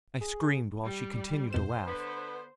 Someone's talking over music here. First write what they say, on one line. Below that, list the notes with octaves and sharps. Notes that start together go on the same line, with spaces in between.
I screamed while she continued to laugh.
G#4
G3
F2 B2 C5 E7
D3 B3